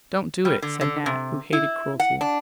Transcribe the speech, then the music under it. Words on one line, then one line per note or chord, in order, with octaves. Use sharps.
"Don't do it," said Nat, who hated cruelty.
G3
D3
D3
C3
E4
F#5
D4